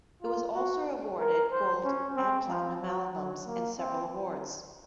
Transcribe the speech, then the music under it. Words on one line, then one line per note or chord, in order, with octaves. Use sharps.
It was also awarded gold and platinum albums, and several awards.
F4
F#4
A#4
C5
C#4
C4
F3
F#3
F#3
A#3
C4